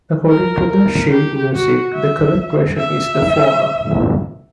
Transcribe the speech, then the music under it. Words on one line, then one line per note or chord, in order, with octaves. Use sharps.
According to the sheet music the correct version is the former.
A#4
A#4
G4
F#4
E5
E5